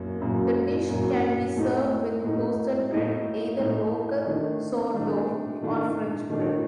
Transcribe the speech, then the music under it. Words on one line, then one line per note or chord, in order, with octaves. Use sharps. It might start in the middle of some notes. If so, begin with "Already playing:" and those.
The dish can be served with toasted bread, either local sourdough or French bread.
Already playing: F#2 F#3 A#3
F#2 F#3 A#3
F#2 F#3 A#3
A2 A3 D#4
A2 A3 D#4
A2 A3 D#4
A2 A3 D#4
D#3 A3 D4
D#3 A3 D4
D#3 A3 D4
D#3 A3 D4